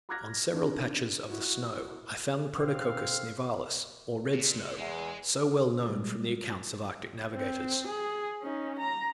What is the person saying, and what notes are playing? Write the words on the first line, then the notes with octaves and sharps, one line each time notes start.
On several patches of the snow I found the Protococcus nivalis, or red snow, so well known from the accounts of Arctic navigators.
A#5 D6 F6 F#6 G#6 A#6
D#3 C4 D4 F4
E4 F#4
B2 C4 D#4 A4 F5
A#2
E2 G#3
A#2 G3 G#3
C4
G#4
C#4 D#4
A#5